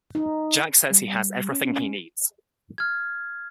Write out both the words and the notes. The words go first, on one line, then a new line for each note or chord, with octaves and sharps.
Jack says he has everything he needs.
D#4
G3
C#4
F6 G#6